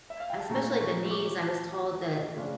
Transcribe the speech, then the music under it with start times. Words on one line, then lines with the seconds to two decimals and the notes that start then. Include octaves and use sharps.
Especially the knees, I was told that
0.10 E5
0.20 F5
0.30 G5
0.40 A5
0.50 A#2 A3 C#4 A#5
0.81 C#6
1.06 C#6
1.11 D6
1.43 A5
2.34 C#3 F3 A3 D4 F4